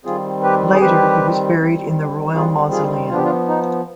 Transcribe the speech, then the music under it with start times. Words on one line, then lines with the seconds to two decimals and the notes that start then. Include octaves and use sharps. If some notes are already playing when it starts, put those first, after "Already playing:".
Later he was buried in the royal mausoleum.
0.05 D#3 G3 C4 F4 G#4
0.43 G4 B4
0.74 G#4
0.81 D#3 G3 C4 G4 B4
1.57 D#3 G3 C4
2.33 D#3 G3 C4 F4 G#4
2.71 F4 G#4
3.09 F3 B3 D4 F4
3.16 G4
3.24 D4 F4
3.48 D#4